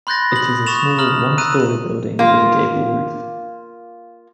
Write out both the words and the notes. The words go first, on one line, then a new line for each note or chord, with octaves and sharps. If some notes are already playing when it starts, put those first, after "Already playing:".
It is a small one story building with a gable roof.
B5 C6 F#6 G6 A6 A#6
D#6 F#7
C#6 D#6 A6 E7 F7
A#5 D#6 F6 F#7
A#5 D#6 E6 F#6 D#7
A#3 F4